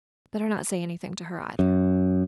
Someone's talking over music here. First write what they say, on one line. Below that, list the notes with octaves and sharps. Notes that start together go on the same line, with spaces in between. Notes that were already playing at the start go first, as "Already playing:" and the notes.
"Better not say anything to her either."
F#2